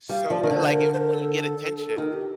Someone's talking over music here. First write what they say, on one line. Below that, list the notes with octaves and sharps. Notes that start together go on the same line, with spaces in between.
So, eh, like when you get attention
G3 F5
F3 D5
D#3
D3 C5 D5
A#4
C5
A#4
A4
D#3 D#4
G4